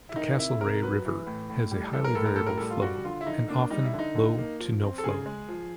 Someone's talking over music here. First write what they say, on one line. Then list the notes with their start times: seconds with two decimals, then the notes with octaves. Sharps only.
The Castlereagh River has a highly variable flow, and often, low to no flow.
0.09 E4
0.16 D#3 D#4
0.38 C3 E4
0.61 C3 A#4
0.82 F#3 B4
1.05 E3
1.26 A2
1.50 A2
1.71 G3
1.93 E3 A4
2.04 A#4
2.15 A2 A4
2.26 A#4
2.36 A2 A4
2.47 A#4
2.57 G3 A4
2.71 F4
2.82 G3 F#4
3.04 D3 F4
3.21 E4
3.27 D3 D#4
3.48 A#3 D4
3.70 G3 D#4
3.85 E4
3.93 D3
3.99 D#4
4.15 D3
4.38 A#3
4.59 F3
4.82 C4
4.98 A4
5.04 C#3 G#4
5.26 G#3
5.48 F3